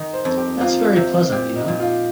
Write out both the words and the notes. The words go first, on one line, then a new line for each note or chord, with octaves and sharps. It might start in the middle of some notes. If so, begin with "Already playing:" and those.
That's very pleasant, you know!
Already playing: D#3 D#5
C5
F2
G4
A#3 F4
C3
A#2 G4
D#4
A#2
F4